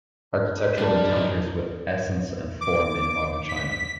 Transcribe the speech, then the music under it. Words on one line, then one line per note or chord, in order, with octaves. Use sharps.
"Architectural Encounters With Essence and Form in Modern China".
G3 A#3 D4
E3 D#4
D6
B6